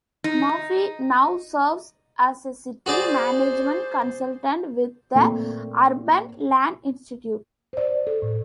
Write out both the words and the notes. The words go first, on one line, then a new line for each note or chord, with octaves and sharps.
Murphy now serves as a city management consultant with the Urban Land Institute.
D#4
F#4 G#4 C5 D5
A#2 A3 A#3 C4
C5 D5
A4
A2